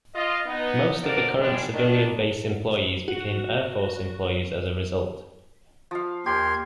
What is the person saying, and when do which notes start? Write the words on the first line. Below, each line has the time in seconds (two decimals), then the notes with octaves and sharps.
Most of the current civilian base employees became Air Force employees as a result.
0.14 F4 D#5
0.46 B3 D#4
1.02 F3 A#3 F#4 A#4 C5 D5
1.39 G#2 D#3 G3 G#3 D4
1.73 D#3 D4
3.08 F#4
5.91 F3 F5
6.26 D#2 G4 A#4 C6 G#6